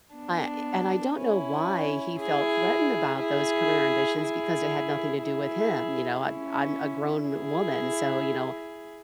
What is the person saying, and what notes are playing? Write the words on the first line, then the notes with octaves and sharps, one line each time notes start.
I and I don't know why he felt threatened about those career ambitions, because they had nothing to do with him, you know, I'm I'm a grown woman, so, you know,
B3 D4
C#4 E4
E4 G#4
E4 G#4
E4 G#4
E4 G#4
C#4 E4
E4 G#4